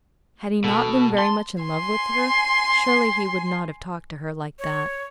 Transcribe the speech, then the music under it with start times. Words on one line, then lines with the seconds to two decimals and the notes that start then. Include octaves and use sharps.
Had he not been very much in love with her, surely he would not have talked to her like that.
0.64 B2 A4
1.18 A5 C6
1.63 G#5 C6
4.59 C#5